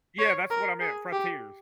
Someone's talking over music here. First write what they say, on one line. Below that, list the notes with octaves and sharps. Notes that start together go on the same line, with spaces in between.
Yeah, that's what I meant, frontiers.
C#5
A#4
G#4
G4